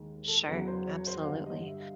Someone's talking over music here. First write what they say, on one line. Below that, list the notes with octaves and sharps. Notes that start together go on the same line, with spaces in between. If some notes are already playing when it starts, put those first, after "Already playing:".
Sure, absolutely.
Already playing: D#2 D#3 G#3
A4
E2 C#3 F#3 B4
C5
C#5
C5
F5
G2 D3 G3 F#5
D#5
E5
F5